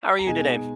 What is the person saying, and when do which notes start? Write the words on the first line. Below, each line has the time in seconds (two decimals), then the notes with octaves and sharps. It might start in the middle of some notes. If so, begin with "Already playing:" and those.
How are you today?
0.19 A#5
0.27 B2 G#3 D#4 G#5